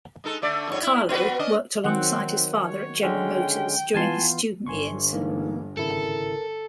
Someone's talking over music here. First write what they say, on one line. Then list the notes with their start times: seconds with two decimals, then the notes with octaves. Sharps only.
Carlo worked alongside his father at General Motors during his student years.
0.24 G#3 D#4 A4
0.42 D3 A3 D5
0.67 F2 G#2 C#5
0.83 E4
1.09 B3 F#4 B4
1.39 C#4 D4 D#5
1.84 D#3 F#3 C4 F#5
2.65 C#5
3.03 D3 G#3 C#4 G5
3.94 E3 B3 F4 G#5 A5 C6
4.66 G1 G2 G#5 C6 C#6
5.13 E3 G#3 A#3 D#4
5.77 G#1 C#3 E4 A4 A#4